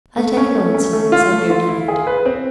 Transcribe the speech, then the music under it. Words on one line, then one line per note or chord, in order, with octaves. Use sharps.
"I'll tell you what it's like," said Beardy Ned.
A3
C#4
A3
C#4
A3
F4
A3
F4
E4
G#4
B4
C4